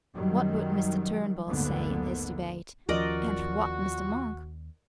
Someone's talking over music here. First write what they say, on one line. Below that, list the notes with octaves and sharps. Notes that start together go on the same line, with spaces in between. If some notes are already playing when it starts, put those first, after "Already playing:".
What would Mr. Turnbull say in this debate,--and what Mr. Monk?
F#2 D#3 F#3 G3
F#1 D2 G#2 D3 A#3 B3
D#2 F3 C#4 F#4 A#4 D5 D#5